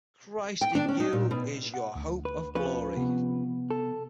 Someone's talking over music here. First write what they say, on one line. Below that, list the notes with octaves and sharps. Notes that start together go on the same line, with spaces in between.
"Christ in you is your hope of glory!".
G5
D4
C#4
D#4
A#2
B2
F#5
D2
B4
F3 C#4 B4
C3 B3
A4